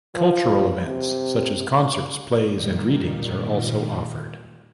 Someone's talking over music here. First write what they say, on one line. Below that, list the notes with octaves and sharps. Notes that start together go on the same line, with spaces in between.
Cultural events such as concerts, plays, and readings are also offered.
F3
C3
A#2 D#3 G3